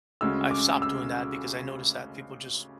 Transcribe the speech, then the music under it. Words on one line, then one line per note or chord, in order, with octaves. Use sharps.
I've stopped doing that because I noticed that people just
D2 C#3 G#3 C#4 E6
D6
E6